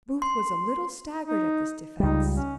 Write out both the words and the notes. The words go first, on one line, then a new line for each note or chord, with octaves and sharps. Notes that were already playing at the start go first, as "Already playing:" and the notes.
Booth was a little staggered at this defence.
C6
D#4
C#2 G3 D#4
C#4